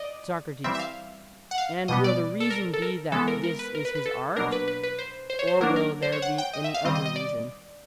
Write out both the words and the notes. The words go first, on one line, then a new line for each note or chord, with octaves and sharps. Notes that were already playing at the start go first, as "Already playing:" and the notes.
SOCRATES: And will the reason be that this is his art, or will there be any other reason?
Already playing: D5 D#5
E3 G3 C4 E5
E5
F5
F#5
F5
B2 G3 B3 D#5
D5
A4
A#4
A4
A#4
E3 G#3 B3 A4
A#4
A#4
B4
A#4
B4
B4
A4
B2 F#3 A#3 D4 A#4
B4
B4
B4
C5
C5
C#5
C5
F#3 A#3 D4 A#4
A#4
C5
C#5
F#5
G5
D#5
E5
F5
D#3 G3 C4 D#5
D#5
D#5
D5